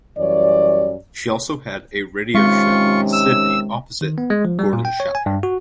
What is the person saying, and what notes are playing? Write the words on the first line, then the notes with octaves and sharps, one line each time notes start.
She also had a radio show in Sydney opposite Gordon Chater.
F#2 E3 G3 C#5 D5
C3 D#3 G#3 C#4 F4 C#6
E6
D#3
B3
G#3
F3
G3
A#2
G5
C#5
G#5
G2
F#4